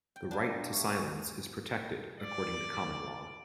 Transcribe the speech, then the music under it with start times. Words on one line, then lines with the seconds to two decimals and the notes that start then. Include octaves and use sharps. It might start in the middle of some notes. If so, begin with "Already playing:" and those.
The right to silence is protected according to common law.
0.16 G5
0.31 G3 A#3 D4
0.72 A3 G4
0.84 E3 C#4 C#6
2.19 D5